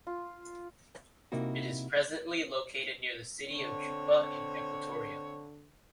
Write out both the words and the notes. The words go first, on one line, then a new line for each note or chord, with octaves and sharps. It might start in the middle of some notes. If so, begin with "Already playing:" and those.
It is presently located near the city of Juba in Equatoria.
F4
C3 A#3 D#4 E4 F#4
D3 C4 C#5